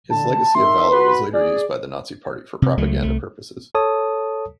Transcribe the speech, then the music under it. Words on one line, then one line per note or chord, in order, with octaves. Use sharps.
His legacy of valor was later used by the Nazi Party for propaganda purposes.
D3 A5
D#4 A#4 E5 C6
F#4 B4
G#4 D5
C3
C#2 F#3 A3
C2 A3
A4 C#5 A5 D#6